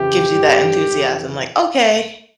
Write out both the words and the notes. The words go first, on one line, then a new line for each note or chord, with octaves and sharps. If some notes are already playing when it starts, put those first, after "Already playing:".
gives you that enthusiasm, like, "Okay,
Already playing: F2 C#3 E3 G4
G2 D3
F2 E3